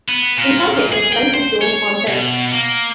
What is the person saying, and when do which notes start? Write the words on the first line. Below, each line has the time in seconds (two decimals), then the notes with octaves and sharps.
In some cases, rice is grown on them.
0.09 B3
0.38 A#2
0.93 G#4
1.13 G5
1.34 C5
1.62 C#5
2.07 B2
2.52 A#3